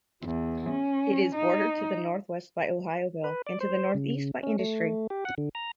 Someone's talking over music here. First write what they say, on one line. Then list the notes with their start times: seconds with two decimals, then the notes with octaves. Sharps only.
It is bordered to the northwest by Ohioville and to the northeast by Industry.
0.24 E2
0.69 C#4
1.35 D#4
3.24 B4
3.47 D5
3.61 C5
3.95 C#3
4.43 C#4
4.59 A3
5.10 G4
5.25 F#5
5.38 D3
5.55 A#5